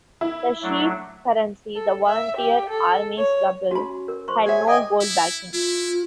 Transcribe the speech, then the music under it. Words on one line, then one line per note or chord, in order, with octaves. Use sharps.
The chief currency, the Volunteer Army's ruble, had no gold backing.
E4
F#3 A3 D4
A4
E5
G4
A4
C#5
C#4 F#4 B5
A#4
C5 C6 C#6
G#4 C#5 E5 G#5
D#5 G5 G#5 D6
E4
E4 F4